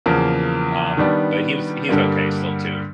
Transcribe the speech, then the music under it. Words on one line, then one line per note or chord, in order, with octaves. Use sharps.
um, but he was he was okay still too.
E2 C#3 F3 A#3
D#3 G3 B3 D4
G2 D3 G3 A#3